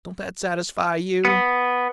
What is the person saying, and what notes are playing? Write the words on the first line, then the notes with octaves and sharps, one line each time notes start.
Don't that satisfy you?
B3